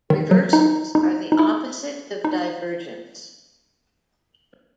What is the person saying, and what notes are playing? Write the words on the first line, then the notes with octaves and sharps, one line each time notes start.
Reversals are the opposite of divergence.
D#3
F#3
D#4
D#4
D#4
E4
D#4